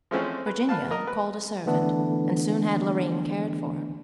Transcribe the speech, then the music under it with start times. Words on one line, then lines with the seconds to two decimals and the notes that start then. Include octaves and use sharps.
Virginia called a servant and soon had Loreen cared for.
0.11 F3 G#3 A3 C4 C#4 E4
0.46 B4
0.69 B4 F5 A5
0.91 A#4 D#5 A#5
1.07 B4
1.66 D3 E3 A3 B3 D4